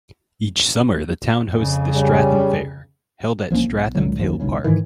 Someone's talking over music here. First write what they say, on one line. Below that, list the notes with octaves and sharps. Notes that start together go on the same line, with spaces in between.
Each summer the town hosts the Stratham Fair, held at Stratham Hill Park.
F2 C#3
G3 C#4 G#4
C2 F3 A#3 C#4
B1
C#2 A#2 D3 F#3
A#1 D#2 A#2 F3
E1 B1 C#3
G#2 D#3 E3